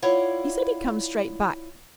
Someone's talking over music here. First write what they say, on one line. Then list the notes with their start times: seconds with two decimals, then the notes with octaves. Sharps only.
He said he'd come straight back.
0.02 E4 F4 C#5 D5 F5 F#5